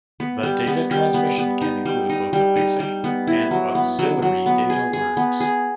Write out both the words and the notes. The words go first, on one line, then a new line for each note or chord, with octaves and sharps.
The data transmission can include both the basic and auxiliary data words.
B3
G3
B3
G3
B3
B3
D#4
G3
D#4
G3
D#4
G3
B3
E4
F#3
B3
F#3
F#3
B3
G#4
G#4
B3
G#4